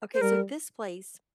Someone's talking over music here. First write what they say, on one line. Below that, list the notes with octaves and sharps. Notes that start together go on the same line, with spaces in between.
Okay, so this place
C5
G3 A#4